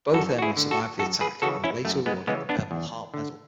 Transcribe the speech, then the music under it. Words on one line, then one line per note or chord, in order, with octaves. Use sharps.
Both airmen survived the attack and were later awarded the Purple Heart medal.
F#2 F#4 A4
F#4
E4 G#4
D3
F#4 A4
F#2 F#4 A4
G#4 B4
C#3 E3 F#4 A4
C#4 E4
F#2 A3
G#3 B3
C#3 E3 G#3 B3
B3 D4
E2
D3